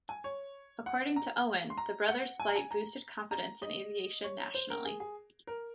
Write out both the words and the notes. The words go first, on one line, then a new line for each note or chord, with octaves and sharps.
According to Owen, the brothers' flight boosted confidence in aviation nationally.
G#5
C#5
F#5
A#5
C6
A#5
F#5
G#5
A#5
G#5
A#5
A#5
D#5
C#5
C5
A#4
G#4
G#4
A#4